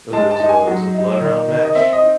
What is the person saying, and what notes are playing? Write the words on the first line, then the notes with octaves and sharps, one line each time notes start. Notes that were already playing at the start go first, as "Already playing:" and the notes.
it was it was a it was a blood round match
G#3 A5
A5
D#4
G#5
F#3
D#4
D#3
D#3
D#5
C4 E5
D#5
D#4